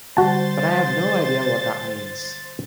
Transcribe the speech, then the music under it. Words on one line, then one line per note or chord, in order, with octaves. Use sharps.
But I have no idea what that means.
D3 G3 F#4 G4 C5 A5 A6